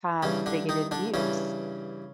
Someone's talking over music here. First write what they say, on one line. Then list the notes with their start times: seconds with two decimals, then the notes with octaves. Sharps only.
have bigoted views,
0.23 G2 C#3 E3 C#4
0.46 D3 D4
0.69 D#3 D#4
0.91 D3 D4
1.14 G2 C#3 E3 C#4